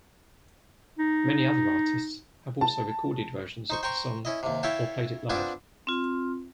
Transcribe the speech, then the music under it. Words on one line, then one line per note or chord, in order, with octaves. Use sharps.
Many other artists have also recorded versions of the song or played it live.
D#4
A5
D#4 C5 C#6
C5 G5 A#5 C6 C#6
C#4 E4 D#5
D#2 C3
E4 C#5 E5 F5 G5 A5
B3 C4 D4 F4 G#5 A5
C4 F4